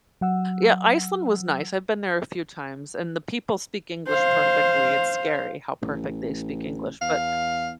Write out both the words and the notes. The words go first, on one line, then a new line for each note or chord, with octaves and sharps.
Yeah, Iceland was nice, I've been there a few times, and the people speak English perfectly. It's scary how perfect they speak English, but
F#3 F#5 E6
C5 F5
A1
E2 F5